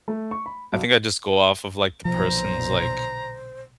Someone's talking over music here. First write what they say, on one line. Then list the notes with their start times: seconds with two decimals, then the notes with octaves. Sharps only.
I think I just go off of, like, the person's, like,
0.08 A3
0.31 C#6
0.46 B5
0.72 B1
2.05 B1 A#2 D3 F3 C5 A#5